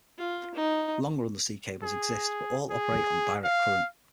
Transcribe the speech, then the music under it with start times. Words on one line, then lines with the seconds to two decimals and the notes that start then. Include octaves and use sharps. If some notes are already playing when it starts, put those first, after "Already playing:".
Longer undersea cables exist, but all operate on direct current.
0.18 F4
0.55 D#4
1.83 G#4
2.70 G#4
3.44 F5